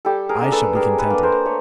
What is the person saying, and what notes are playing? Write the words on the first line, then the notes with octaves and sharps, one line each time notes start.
I shall be contented.
G3 G4 A4
G#4 A#4
A#3 D4
A4 B4
G3 G#4 A#4
A4 B4
A#3 D4
A#4 C5
A3 C#5